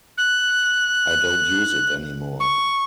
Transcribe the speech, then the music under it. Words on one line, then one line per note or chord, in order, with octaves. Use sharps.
I don't use it anymore.
F#6
C#6